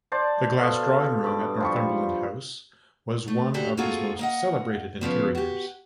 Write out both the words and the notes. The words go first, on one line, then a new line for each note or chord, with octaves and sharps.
The Glass Drawing Room at Northumberland House was one of his most celebrated interiors.
C5 D5 A5
B2 A4 F5
G2 D6
F3 G3 C#6
A3
A#2 D4 E4 F#4 G4 A4
A#3 C4 F4 F#4 G#4 A4
A#3 D#5 F#5
E2 C#3 F3 B3
F#4 G4